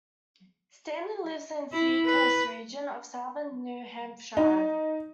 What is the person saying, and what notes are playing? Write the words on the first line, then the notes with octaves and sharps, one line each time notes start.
Stanley lives in the Seacoast region of southern New Hampshire.
E4
B4
D#4